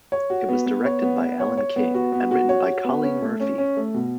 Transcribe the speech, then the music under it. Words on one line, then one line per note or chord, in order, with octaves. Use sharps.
It was directed by Allan King, and written by Colleen Murphy.
C#5
F#4
B3
B3
C#5
B3
B3
C#5
C#5
B3
F#4
B3
F#4
C#5
F#4
B3
C#4
A3
C#4
C#4
A3
B2